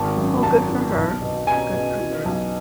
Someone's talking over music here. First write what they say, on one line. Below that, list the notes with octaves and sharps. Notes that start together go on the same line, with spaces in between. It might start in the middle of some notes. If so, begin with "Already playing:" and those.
Well, good for her. Good for her.
Already playing: G#1 A5
F#2
F#2 A5
E3
B1
B2
B2 G#5
B2
E3
B1